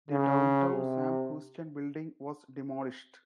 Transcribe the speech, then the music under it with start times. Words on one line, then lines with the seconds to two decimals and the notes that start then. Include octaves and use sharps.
The Downtown Sam Houston building was demolished.
0.10 C#3
0.72 C3